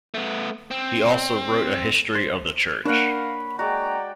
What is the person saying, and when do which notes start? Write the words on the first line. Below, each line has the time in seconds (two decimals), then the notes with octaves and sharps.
He also wrote a history of the church.
0.14 A3 B3
0.71 C4
2.15 C5
2.85 A#3 D4 A#4 C#5 F5 F#5 B5
3.59 G#3 F#4 D5 G5 A#5